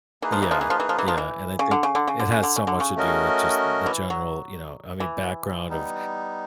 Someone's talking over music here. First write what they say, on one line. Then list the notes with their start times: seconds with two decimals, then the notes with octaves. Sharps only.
Yeah, yeah, and I think it has so much to do with, just, the general, you know, I mean, background of
0.22 E3 A#3 D#4 G#4 B4
0.32 F3
0.42 E3
0.51 F3
0.61 E3
0.70 F3
0.80 E3
0.89 F3
0.98 E3
1.08 F3
1.18 E3
1.59 C#3
1.71 D3
1.83 C#3
1.95 D3
2.08 C#3
2.19 D3
2.32 C#3
2.43 D3
2.56 C#3
2.67 D3
2.80 C#3
2.96 A3 C#4 F#4 A#4 D#5
3.86 E3
4.10 F#3
5.00 E3
5.68 G3 B3 D#4